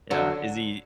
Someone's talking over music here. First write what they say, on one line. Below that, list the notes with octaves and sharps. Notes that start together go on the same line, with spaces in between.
Yeah. Is he
D3 F#3